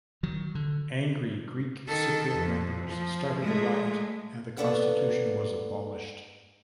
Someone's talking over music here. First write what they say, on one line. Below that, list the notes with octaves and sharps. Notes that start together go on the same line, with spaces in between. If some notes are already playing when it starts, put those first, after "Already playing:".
Angry Greek Cypriot members started a riot and the constitution was abolished.
D#3 F#3
D3
D#3 A4
F2
F3
G#3 A3
A#3 B3 D4 A4 B4